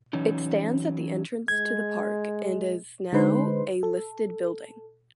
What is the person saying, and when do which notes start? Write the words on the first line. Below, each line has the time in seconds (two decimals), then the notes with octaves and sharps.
It stands at the entrance to the park and is now a listed building.
0.13 E3 F#3 C#4 D#4
1.48 G#3 G#6
3.13 D3 G#3 D#4 B4 C5 C6
3.83 A4